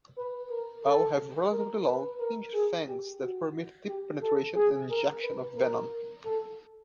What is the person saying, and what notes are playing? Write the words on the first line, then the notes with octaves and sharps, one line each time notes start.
All have relatively long, hinged fangs that permit deep penetration and injection of venom.
B4
A#4
A4
A#4
B4
A#4
G#4
G4
F#4
G4
A4
G#4
A#4
B4
A#4
A4